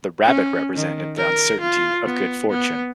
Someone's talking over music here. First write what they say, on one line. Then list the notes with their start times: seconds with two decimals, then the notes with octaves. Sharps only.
The rabbit represented the uncertainty of good fortune.
0.24 C#4
0.75 D#3
1.17 A#4
1.61 F4
2.05 B3
2.50 B3